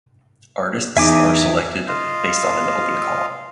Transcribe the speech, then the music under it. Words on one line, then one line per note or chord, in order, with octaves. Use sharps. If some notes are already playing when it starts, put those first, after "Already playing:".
Artists are selected based on an open call.
E2 D#4 E5 G#5 D6
F4 D#5 F5